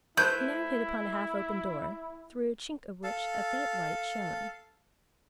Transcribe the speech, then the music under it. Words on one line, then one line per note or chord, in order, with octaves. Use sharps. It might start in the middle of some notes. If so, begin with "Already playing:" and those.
He now hit upon a half-open door, through a chink of which a faint light shone.
A3 E4 B4 C5 G6
A4 F5 A5